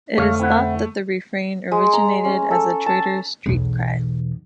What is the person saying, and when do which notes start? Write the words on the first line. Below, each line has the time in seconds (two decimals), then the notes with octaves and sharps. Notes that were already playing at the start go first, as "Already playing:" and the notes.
It is thought that the refrain originated as a trader's street cry.
0.18 F2 D3 A3 C#5 F5
0.39 C4 E4 F#5
1.72 G#3
1.93 A#5
2.25 C#4
2.51 A4
2.86 A5
3.46 B1 E2